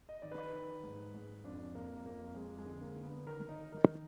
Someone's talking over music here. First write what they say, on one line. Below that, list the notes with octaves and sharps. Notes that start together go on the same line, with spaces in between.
Salt and alum were also quarried at Kalabagh.
D#5
D#3 D5
B4
D#3
G#2
G#2
F2 D4
F2 A#3
F2 A#3
F2 G#3
G#3
D3
A#3
D3
B3
D#3 A#4
D#4
D#3
A#4
D#3